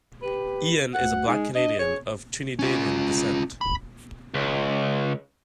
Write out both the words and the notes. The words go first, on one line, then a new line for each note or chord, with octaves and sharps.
Ien is a Black Canadian of Trinidadian descent.
G4 B4
D2 F#5
G#3 D#4
D4 D#5
G#4 C#5
C#4 F4
B5
C#2